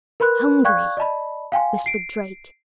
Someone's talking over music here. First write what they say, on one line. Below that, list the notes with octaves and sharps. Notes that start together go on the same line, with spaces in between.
"Hungry!" whispered Drake.
A#4 B4 B5 C6 F#6
D5 F5 G5 C#6 F#6 G#6
D5 D#5 A5 B5
F5 G5 G#5 C6
C7 D7